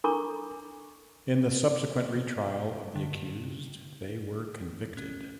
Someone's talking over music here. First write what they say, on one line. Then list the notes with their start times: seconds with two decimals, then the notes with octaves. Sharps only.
In the subsequent retrial of the accused they were convicted.
0.04 D4 A4 A#4 A#5 C#6 D6
2.96 D3
4.97 C#4